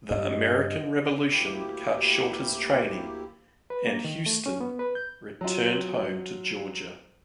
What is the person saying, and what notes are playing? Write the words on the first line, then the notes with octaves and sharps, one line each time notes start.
The American Revolution cut short his training, and Houstoun returned home to Georgia.
G2 D#5
D2 A#3 E4 G4
B4
A#3
D#3
A3
C#4
B3
B4
G6
F#3 F4